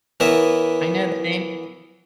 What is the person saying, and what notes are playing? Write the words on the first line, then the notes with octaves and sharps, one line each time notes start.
I know the name
E3 B3 A#4 C#5 E5